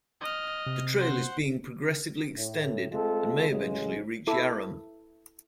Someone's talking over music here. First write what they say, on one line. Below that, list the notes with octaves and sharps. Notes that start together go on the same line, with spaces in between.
The trail is being progressively extended, and may eventually reach Yarram.
D#5 F6
C3
C5 F#5
A2
G#3 A3 C4 F4 A4
A1 C#3 F#3 G#3
E4 A4 B5 D6